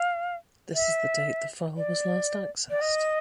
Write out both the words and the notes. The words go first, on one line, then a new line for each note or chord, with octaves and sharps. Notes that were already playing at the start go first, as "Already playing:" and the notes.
This is the date the file was last accessed.
Already playing: F5
E5
D5
D5
D#5